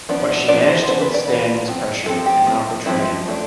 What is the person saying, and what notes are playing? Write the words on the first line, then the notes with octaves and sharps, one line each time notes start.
But she managed to withstand this pressure and not betray anyone.
F3 B3 D4
F3 B3 D4 D5
C5
E3 B3 D4 C5
B4
D5
E3 B3 D4 B4
F3 C4
F3 C4 A4
G4
F3 C4
F3 C4 E4
F3 A3 D4